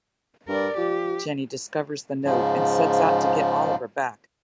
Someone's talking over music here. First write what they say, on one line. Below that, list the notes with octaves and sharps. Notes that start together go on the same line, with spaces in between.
Jenny discovers the note and sets out to get Oliver back.
G2 A#4 D5
F3 G4
G#2 C#3 F3